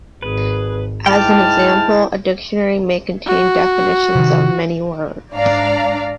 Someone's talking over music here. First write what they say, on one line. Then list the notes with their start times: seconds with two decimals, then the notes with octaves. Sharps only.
As an example, a dictionary may contain definitions of many words.
0.22 G#1 G#4 B4
1.06 G#2 E4 G5 A5 D6 F6
3.27 F#4
4.15 C3 D#3
5.34 G#2 D4 D5 F5 A#5